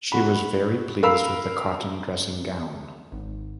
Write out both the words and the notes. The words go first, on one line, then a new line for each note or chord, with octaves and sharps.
She was very pleased with the cotton dressing gown.
F#4 B5
A#4 F5 B5 E6
G#1